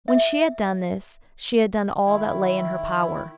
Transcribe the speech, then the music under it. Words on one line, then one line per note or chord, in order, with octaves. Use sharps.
When she had done this, she had done all that lay in her power.
E5
D#3 E4